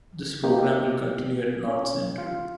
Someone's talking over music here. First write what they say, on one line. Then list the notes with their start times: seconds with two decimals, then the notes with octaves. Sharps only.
This program will continue at North Central.
0.44 A#3 D#4 G4
1.68 C#4
2.18 F4